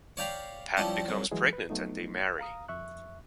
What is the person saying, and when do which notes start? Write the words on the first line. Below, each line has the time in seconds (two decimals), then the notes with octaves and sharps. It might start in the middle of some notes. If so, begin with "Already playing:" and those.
Pat becomes pregnant and they marry.
0.17 C#5 D5 F5 G5 A#5 B5
0.77 F3 G3 C#4 D4 E4
1.08 C2 F#3
1.31 E3 F#3 G#3 G#4
1.53 B4
1.70 F#3 A3 B3 D#4
2.39 F5 A#5 D#6
2.68 F2 E5 C#6 F#6